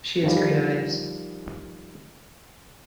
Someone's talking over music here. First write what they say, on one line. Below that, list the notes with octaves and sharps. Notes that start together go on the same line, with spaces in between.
She has green eyes.
D#3 F3 G3